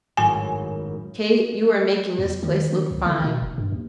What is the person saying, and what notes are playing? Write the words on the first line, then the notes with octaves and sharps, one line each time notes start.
Kate, you are making this place look fine.
G#1 F#2 A2 G#5
E2
D#3
D#3
C#2
D3
B2
F1
G2
D#2